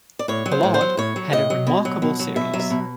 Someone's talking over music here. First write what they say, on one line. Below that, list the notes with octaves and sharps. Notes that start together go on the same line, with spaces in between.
Pollard had a remarkable series.
D5
A2 C#5
F#3
C5
A2
C5
F#3
A2 C#5
F#3
A2 D#5
F#3
B2
F#3
B2
F#3
B2 E5
F#3
E5
B2